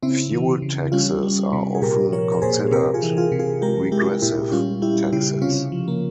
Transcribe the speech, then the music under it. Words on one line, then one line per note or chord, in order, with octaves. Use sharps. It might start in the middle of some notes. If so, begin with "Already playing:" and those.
Fuel taxes are often considered regressive taxes.
C#3 C4 E4
E3
C#3
G3 C#4 F4
G3
C3
G#4
A#2 G4 A#4
F3 A#4 C#5
A#4
A#2 G#4 C5
C3 G4 A#4
F4 G#4
E3
F4 G#4
C3
F4 G#4
G#3 G4 A#4
G#3 E4 G4
A#2 E4 G4
G3 C#4 F4
G3 E4 G4
C#3 E4 G4
C3 C#4 F4
F3
A#3